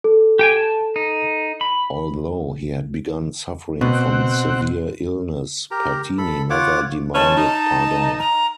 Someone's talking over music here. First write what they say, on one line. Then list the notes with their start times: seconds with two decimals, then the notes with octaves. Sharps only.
Although he had begun suffering from severe illness, Pertini never demanded pardon.
0.04 A4
0.39 G4 G5 G#5
0.56 A5
0.96 D#4
1.61 B5
3.81 B2 C4 F#5
5.71 G4 A#4 A#5
6.18 A4 B5
6.50 F4 C#5 F#5 D6
7.15 E3 G#3 C#4 A5
7.37 D#4
8.19 A#5